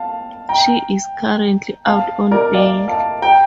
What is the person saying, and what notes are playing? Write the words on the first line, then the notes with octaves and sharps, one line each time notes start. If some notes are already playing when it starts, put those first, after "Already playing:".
She is currently out on bail.
Already playing: F5 A5
G5 A#5
F5 A5
A#4 D5
D5 F5
F5 A5
G5 A#5